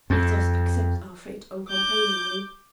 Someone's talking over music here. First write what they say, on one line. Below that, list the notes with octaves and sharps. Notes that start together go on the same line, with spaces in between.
Let us accept our fate uncomplainingly.
F2
D6 G6